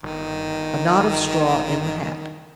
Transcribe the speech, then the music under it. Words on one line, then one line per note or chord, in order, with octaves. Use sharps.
"A knot of straw in the hat."
G1 D#3